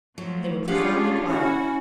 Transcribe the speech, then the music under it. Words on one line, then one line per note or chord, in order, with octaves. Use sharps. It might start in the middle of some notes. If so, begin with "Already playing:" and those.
They were profoundly quiet.
F3 F#3 A3
C#4 D4 F4 G4 G#4 F5 F#5
C#4 E4 F#4